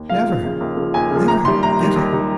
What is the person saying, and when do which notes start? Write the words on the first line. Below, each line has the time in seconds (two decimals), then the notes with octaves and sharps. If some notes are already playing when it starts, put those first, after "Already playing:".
"Never, never, never!"
Already playing: D#2
0.09 C#3 F3 F5
0.26 D#2
0.44 C#3 F3
0.61 D#2
0.77 C#3 F3
0.94 D#2 G#5
1.11 C#3 F3
1.28 D#2 A#5
1.45 D#3 G3 C6
1.62 D#2 A#5
1.80 D#3 G3
1.96 D#2
2.13 D#3 G3